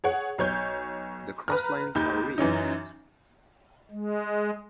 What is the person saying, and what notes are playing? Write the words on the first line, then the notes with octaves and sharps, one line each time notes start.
The crosslines are weak.
G#4 C#5 F#5
B1 C#5 G6
B4 A#5 F6
D#2 D#4 B5 G6
F#2 E3 C#4 D#4
G#3